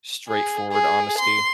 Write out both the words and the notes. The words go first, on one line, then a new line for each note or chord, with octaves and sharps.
straightforward honesty
G#4
G#4
C6